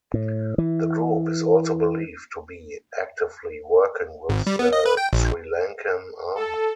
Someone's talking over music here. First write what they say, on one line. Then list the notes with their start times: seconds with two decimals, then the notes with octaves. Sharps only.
The group is also believed to be actively working with the Sri Lankan Army.
0.14 A2
0.58 E3
4.29 G#1
4.47 G3
4.59 B3
4.73 D#5
4.86 B4
4.97 G5
5.13 A#1
6.35 A4